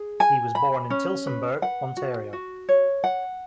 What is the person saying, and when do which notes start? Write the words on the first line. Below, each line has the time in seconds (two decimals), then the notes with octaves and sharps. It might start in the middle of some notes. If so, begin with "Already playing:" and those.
He was born in Tillsonburg, Ontario.
Already playing: G#4
0.20 G#5
0.55 B5
0.90 C#4
1.27 B4
1.62 F#5
1.97 F#4
2.33 F#4
2.69 C#5
3.04 F#5